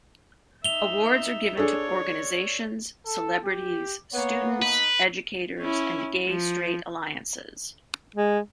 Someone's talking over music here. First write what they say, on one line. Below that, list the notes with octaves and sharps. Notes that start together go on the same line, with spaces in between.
Awards are given to organizations, celebrities, students, educators and gay-straight alliances.
D#4 E5 F7 G7
D4 G#4 A4 C#5
A4
G4
A#3 B3 C#5
D#4 B4
C#4 E4
F3
G#3